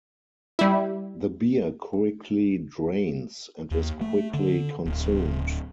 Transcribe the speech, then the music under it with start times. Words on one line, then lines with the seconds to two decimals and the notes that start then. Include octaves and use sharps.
The beer quickly drains, and is quickly consumed.
0.59 G3 E4
3.71 D#2
4.01 A3
4.34 D3
4.85 D1